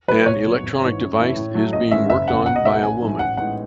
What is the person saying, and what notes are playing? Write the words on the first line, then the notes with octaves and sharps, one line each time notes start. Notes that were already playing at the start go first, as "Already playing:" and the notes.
An electronic device is being worked on by a woman.
A2 F#3 B4
B1 C#5
B2 F#3 B3
G#1
G#2 E3
F#2
E3 A3 E4
A2
F#3 A3
A1 D#5
G#2 D#3 G#3 C#4 E5
F#1 E5
E2 C#3 F#5
B1 F#5
D#5
B2 A3 D#4 E5
F#5
A1 G#5
G#2 F#3 A3
A1 F#5
A2 G#3 B3 D#4 F#5